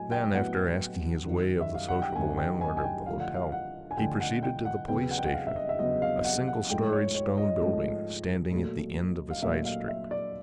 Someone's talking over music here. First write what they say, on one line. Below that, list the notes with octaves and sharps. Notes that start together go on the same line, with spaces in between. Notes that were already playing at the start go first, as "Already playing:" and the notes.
Then, after asking his way of the sociable landlord of the hotel, he proceeded to the police station, a single-storied stone building standing at the end of a side street.
Already playing: A2 F#3 G#5
G5
A2 F#3 B3 E4 F#5
F#2 D#3 F#3
E5
F5
F#5
G5
F#2 D#3 F#3 G#5
G5
G#5
G#5
G5
D3 F3 A3 F5
F#5
F5
F#5
G#5
D3 F3 A3 G5
F#5
G5
F#5
E2 C#3 F#3 B3 G5
F#5
G5
F#5
F5
E5
D#5
E5
E2 C#3 F#3 B3 D#5
F5
F#5
F#5
G#2 F3 A3 G5
C#5
C#5
D#5
G#2 F3 A3
A#2 F#3 A3
F5
A#2 F#3 A3 E5
F5
E5
D5